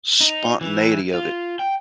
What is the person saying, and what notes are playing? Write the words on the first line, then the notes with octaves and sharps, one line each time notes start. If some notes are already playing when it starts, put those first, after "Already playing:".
spontaneity of it,
D#4
E3
F4
G5